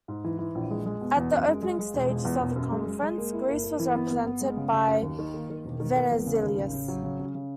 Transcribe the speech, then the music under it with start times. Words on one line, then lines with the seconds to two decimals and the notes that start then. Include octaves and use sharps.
At the opening stages of the conference, Greece was represented by Venizelos.
0.08 G#2
0.24 E3
0.39 E3
0.55 A#1
0.70 G#3
0.86 G#3
1.01 B2
1.16 E2
1.32 F#2
1.48 G#3
1.63 G#3
1.79 G#3
1.94 E1
2.09 G#3
2.25 E2
2.40 E1
2.56 F#2
2.72 G#3
2.87 G#3
3.02 G#3
3.18 A#3
3.33 E4
3.48 A#3
3.64 A#3
3.79 E3
3.95 B3
4.10 B3
4.26 B3
4.41 G#3
4.57 C#3
4.72 C#3
4.88 F#2
5.03 D#2
5.19 D#3
5.34 A#3
5.50 D#3
5.65 E1
5.80 D#3
5.96 A#3
6.11 E2
6.26 C#3
6.42 D#2
6.58 C#3
6.73 C#3
6.88 F#3
7.04 C#3
7.19 C#3
7.35 C#3